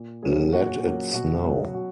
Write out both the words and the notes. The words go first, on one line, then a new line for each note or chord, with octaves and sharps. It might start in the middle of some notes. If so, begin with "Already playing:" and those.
Let it snow.
Already playing: A#2
F#3 A#3 C#4 G#4
A#2 F#4
F#3 A#3 C#4
B2 F#4
F#3 C#4
B2 F#4